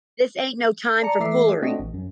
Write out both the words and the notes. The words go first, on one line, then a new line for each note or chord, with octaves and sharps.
This ain't no time for foolery.
D5 A5 A#5 C#7
E3 A3 E5 D6 C7
A3 C4 D4 F#4 D#5
A1
F#2